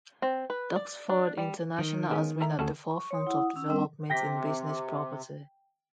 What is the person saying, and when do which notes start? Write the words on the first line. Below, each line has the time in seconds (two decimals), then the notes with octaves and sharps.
Doxford International has been at the forefront of developments in business property.
0.22 C4
0.50 B4
0.76 D5
1.09 D4
1.37 G3
1.79 D#3
2.11 G#3 B3 C#4
2.41 A3 E4 A#5
2.59 D2 C#4 F#4 A4
2.91 C#6
3.11 C#5 C6 D#6
3.27 E4 F#5 D#6
3.56 C#4 E6
3.68 G3 C4 D4 A#4 D#5 G5
4.10 C3 G5 A#6 B6